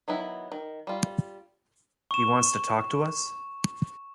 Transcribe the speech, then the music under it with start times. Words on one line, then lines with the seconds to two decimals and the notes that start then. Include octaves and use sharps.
He wants to talk to us?
0.08 D#3 F#3 B3 E4
0.52 D#3
0.87 G3 F4
2.11 C#6 E7